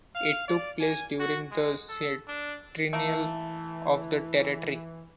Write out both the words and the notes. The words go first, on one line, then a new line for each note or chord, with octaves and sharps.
It took place during the centennial of the territory.
F5
D5
G#5
F#4
G#3
A4
D4
E3 A3 A#3